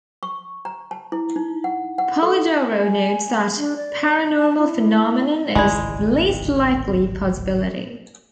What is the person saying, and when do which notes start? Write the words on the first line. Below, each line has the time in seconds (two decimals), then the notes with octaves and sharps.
Polidoro notes that Paranormal phenomenon is the least likely possibility.
0.23 C#6
0.65 A#5
0.91 A5
1.12 E4
1.36 D#4
1.64 F#5
1.98 F#5
2.23 A4
2.76 G#5
3.57 D4
3.77 D5
4.39 A5
4.58 E4
5.55 D1 G#1 C#2 G#3 E4 F4 D5